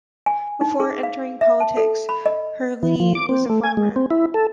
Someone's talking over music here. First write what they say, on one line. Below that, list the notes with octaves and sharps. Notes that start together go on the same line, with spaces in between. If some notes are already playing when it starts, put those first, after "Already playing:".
Before entering politics, Herlihy was a farmer.
G#5
D#4
G#4
F5
E5
A5
A4
B5
D#5
E3
F3
D6
C4
A3
G#5
G#3
C4
E4
A4